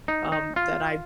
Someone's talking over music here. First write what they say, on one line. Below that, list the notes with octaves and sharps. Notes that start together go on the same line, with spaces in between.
um, that I
D#4
D#4
F4